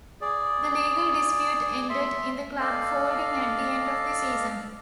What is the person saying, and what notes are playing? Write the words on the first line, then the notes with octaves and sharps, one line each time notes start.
The legal dispute ended in the club folding at the end of the season.
G#4 D5
E5 C6
A4 D5 D#5 F5